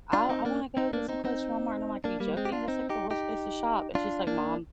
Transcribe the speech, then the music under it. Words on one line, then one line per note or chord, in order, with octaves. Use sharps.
"I I wanna go get some clothes from Walmart," and I'm like, "Are you joking? That's, like, the worst place to shop," and she's like, "Mom,
D4 F4
C4 D#4
A#3 D4
C4 D#4
A#3 D4
C4 D#4
C4 D#4
A#3 D4
G3 A#3
G#3 C4
G4
D4 F4
C4 D#4
D#4 G4
D#4 G4
D4 F4
A#3 D4